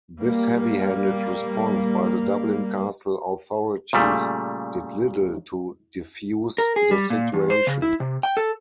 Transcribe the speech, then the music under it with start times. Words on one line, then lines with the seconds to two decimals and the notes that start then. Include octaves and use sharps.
This heavy-handed response by the Dublin Castle authorities did little to defuse the situation.
0.19 G3 A#3
3.93 A#2 C#3 G3 A3
6.58 A#4
6.76 G#4
6.91 G3
7.10 A#2
7.34 E2
7.50 C5
7.67 C#3
7.82 E4
8.00 C3
8.23 G5
8.37 A4